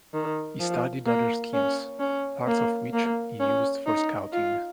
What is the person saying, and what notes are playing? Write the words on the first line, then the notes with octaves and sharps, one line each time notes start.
He studied other schemes, parts of which he used for Scouting.
D#3
F3
A#3
C#4
C#4
A#3
A#3
C#4
D#4
F4